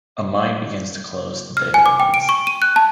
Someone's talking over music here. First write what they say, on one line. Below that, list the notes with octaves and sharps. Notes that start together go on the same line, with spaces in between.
A mine begins to close the day it opens.
F6
G#5
D6
G5
D7
C#6
D#7
F#6
A5